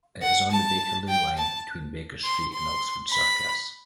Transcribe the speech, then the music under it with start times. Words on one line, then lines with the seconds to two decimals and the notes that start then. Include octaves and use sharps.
It is on the Bakerloo line, between Baker Street and Oxford Circus.
0.22 F#5
0.51 A5
1.08 G5
1.38 A5
2.24 C6
2.53 C6
3.11 B5